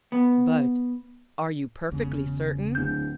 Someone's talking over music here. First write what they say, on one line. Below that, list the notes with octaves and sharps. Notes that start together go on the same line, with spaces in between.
"But are you perfectly certain?"
B3
E1 C#3
D1 G6